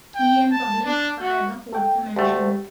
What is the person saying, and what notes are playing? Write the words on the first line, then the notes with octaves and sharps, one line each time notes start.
Key and published by The Fourth Dimension.
G5
A5
D4
F#4
A4 G5
D2 A3 G4